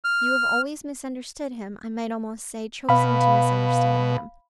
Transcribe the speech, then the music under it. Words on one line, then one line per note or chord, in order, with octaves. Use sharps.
You have always misunderstood him, I might almost say, chosen to misunderstand him.
F6
B2 F5 B5